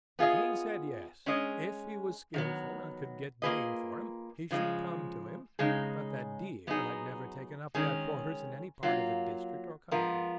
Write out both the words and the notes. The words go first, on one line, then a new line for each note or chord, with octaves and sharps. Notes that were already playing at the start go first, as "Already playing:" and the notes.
The king said yes, if he was skilful and could get game for him, he should come to him, but that deer had never taken up their quarters in any part of the district or country.
B3 F4 G#4 D#5
G#3 C#4 G#4 D#5
D#3 F#3 B3
A#3 F4 G#4 B4 D#5
C#3 F3 G#3
C#3 G#3 D#4 G#4
F#3 B3 D#4 G#4
D#3 G#3 C#4 G#4
F#3 A#3 F4
F3 G#3 B3 F4 A#4